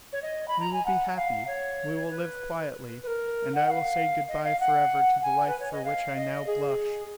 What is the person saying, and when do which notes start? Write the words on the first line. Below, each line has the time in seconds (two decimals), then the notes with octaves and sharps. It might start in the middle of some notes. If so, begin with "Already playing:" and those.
We will be happy; we will live quietly, and I will say good-bye forever to the life for which I now blush.
0.12 C#5
0.22 D#5
0.48 B5
0.60 A#5
0.72 G#5
0.85 F#5
1.16 F5
1.47 C#5
2.09 B4
3.03 B4
3.07 A#4
3.54 F#5
3.66 F#5
3.70 F5
4.28 D#5
4.44 F5
4.60 F#5
5.22 G#5
5.47 B4
5.59 C#5
5.72 D#5
5.85 F5
6.16 D#5
6.46 G#4